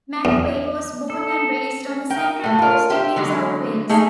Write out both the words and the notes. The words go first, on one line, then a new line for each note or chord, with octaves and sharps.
McVeigh was born and raised on the Central Coast in New South Wales.
E2
A4
A#4 G5
A2 A3
F4 A#4
G4 C5 E5
D3 E3 F#3 G#3
A3 D#4 G#4 E5